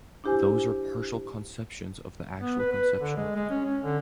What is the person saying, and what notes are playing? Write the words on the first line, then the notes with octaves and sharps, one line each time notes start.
Those are partial conceptions of the actual conception.
D4 E4 G4 C5 G#5
B3
B4
B4
D3
G#3
G#3
C#4
C#4
D3